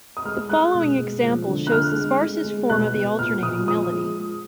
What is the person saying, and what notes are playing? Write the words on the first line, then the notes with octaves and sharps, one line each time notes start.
The following example shows the sparsest form of the alternating melody.
D#6
G#3 F6
G#3 F#6
B2
G#3
F3
D3
F#6
D3 F6
G#3
G#3
G#3
B2 F#6
B2
A#2 F6
A#2 D#6
F3 D#6
G#3